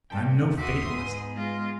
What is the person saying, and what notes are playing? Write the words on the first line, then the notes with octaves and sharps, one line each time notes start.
I'm no fatalist.
G2 G5 A5
D#2 F#4 E5 C6 D6 D#6
G#2 B3
G#3 F4